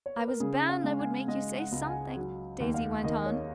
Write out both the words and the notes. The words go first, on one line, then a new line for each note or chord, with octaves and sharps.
"I was bound I would make you say something," Daisy went on.
C#5
B4
A#4
C#3 G#4
F5
G#3
G#5
G#3 D#5
F#5
C#2
G#5
F#3
D#2
F5
D#3 D#5
C#5